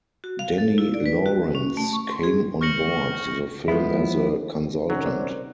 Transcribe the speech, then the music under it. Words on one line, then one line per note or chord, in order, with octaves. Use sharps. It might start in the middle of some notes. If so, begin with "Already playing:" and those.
Denny Lawrence came on board the film as a consultant.
F#4
F5
A4
E4
D5
B4
F#4
C#4
A3
C#6
C6
G#4
C#6 F6 G6 A#6 C#7 F#7
F3 G#3 B3 E4
C3 D#3 F#3 C#4
A#4 C5 D5